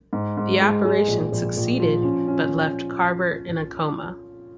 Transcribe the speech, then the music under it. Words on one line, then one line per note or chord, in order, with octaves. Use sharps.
The operation succeeded, but left Carver in a coma.
G#2
G#2
G#3
G#3
A#1
A#1
A#1
F3
C#4
C#4